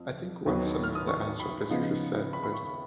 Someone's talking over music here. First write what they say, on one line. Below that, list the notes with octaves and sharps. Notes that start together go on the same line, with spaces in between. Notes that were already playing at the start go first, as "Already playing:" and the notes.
I think what some of the astrophysicists said was
Already playing: F2
D#2 D#3 F#3 B3 D#4
F6
D#6
C#6
B5
C#3 F3 B3 D#4
B5
B5
C#6